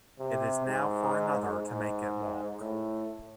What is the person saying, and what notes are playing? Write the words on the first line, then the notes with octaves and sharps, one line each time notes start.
It is now for another to make it walk.
C3
G#2
G#2
A2